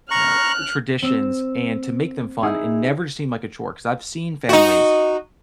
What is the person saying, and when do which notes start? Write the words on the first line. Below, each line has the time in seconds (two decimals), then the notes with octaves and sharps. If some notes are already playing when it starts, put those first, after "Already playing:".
you know, traditions and to make them fun and never seem like a chore. 'Cause I've seen families
0.11 A#5 C#6 F6 F#6
1.02 C4 E6
2.43 D#4 E4 G#4
4.49 D#4 F#4